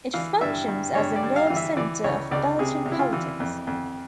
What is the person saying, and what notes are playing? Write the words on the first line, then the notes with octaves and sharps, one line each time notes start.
It functions as the nerve center of Belgian politics.
E3 F5
G2 E5
G2
G2 C#5
D5
G2
F5
E3 F5
E5
E3 D5
C#2 C#5
C#2 D5
C3 G#4
C3
E4
F4
E3
F2
F2